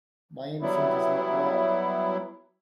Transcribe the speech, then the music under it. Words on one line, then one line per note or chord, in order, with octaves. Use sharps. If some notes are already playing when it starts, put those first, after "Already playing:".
My infant is not well.
F#3 G3 B3 E4